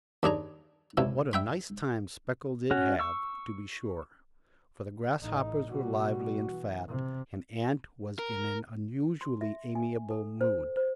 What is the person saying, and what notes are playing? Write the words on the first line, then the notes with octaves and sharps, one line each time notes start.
What a nice time Speckle did have, to be sure; for the grasshoppers were lively and fat, and aunt was in an unusually amiable mood.
D#2 D4 G#4 A#5
C#2 C3 E4
E5 G5 B5
C#4 F#4
C#6 E6
A1 D#4
B2 G3 F#4
E3
C3
A#4
C6
E5
G#5
A4
C5
C5